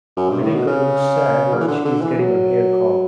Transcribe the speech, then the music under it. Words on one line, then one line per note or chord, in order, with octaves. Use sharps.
A little girl looks sad while she is getting her hair combed.
F#2
G2
A2
B2
C#3
F#3
E3
D3
D3
E3
F#3